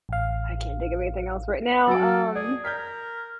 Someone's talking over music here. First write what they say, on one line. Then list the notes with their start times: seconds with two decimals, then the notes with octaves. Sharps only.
I can't think of anything else right now. Um,
0.09 A1 F5
1.87 F#3 F#4 A4 D7
2.35 G#4 D5
2.65 A#4 G6 G#6 B6